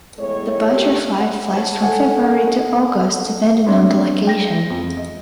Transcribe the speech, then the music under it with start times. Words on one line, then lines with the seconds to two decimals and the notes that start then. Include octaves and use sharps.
The butterfly flies from February to August depending on the location.
0.18 E2 A2 G#3 C#5
0.70 A#2 A3 G4
1.20 F#5
1.53 C#5 A5
1.82 A4 C#5 F#5 G#5
2.47 D#5
3.66 B3 C4 D4 C#5 E5
4.27 G5 A#6
4.70 F2 G#3
4.97 D#5